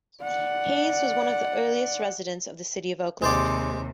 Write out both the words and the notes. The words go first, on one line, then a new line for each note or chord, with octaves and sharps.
Hays was one of the earliest residents of the city of Oakland.
D5 F#5
D#2 C3 G#3 C5 D5